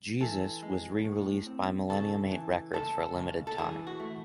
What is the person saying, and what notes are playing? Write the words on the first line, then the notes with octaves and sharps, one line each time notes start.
"Jesus" was rereleased by Millennium Eight Records for a limited time.
E3 A4
G#3
A2
C4
C#3 A4
E3
C#2 A4
C#2
A4
E3 G#4
F#4
A3